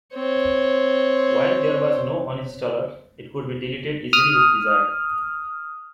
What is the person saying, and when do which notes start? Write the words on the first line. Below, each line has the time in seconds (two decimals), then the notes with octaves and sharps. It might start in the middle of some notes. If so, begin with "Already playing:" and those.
While there was no uninstaller, it could be deleted easily if desired.
0.14 C4 C#5
4.13 D#6 F6